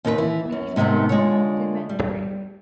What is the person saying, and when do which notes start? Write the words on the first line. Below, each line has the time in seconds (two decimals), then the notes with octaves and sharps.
We are complementary.
0.05 D#2 C4 D#4 A#4 B4
0.18 E3
0.52 F#2
0.76 G#2 C3 D#3 B3 C4
1.09 D3 G#3 F4 C#5
1.89 G3